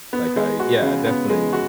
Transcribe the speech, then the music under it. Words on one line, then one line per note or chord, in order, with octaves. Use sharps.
like, I Yeah, I definitely,
B3
G#3
F#4
C#3
B3
G#3
F#4